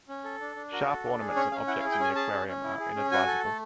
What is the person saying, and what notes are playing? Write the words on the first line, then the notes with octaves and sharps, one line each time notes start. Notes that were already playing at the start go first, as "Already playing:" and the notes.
Sharp ornaments and objects in the aquarium are inadvisable.
C#4
A4
D4
D4
F#4 A#4
A4
D4
G#4
C#4 C#5
C#4 F5
E4 F#5
F5
G#4
G5
C#4 G#5
G#4 A5
C#4
C#4
E4
G#4
C#4
F#4 G#5
A4
A3